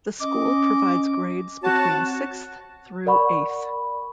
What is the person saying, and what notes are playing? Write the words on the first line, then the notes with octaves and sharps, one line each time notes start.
The school provides grades between sixth through eighth.
C#4 D#5 D6
C4 F#4 C#5 A5
A#4 D5 F#5 B5 C#6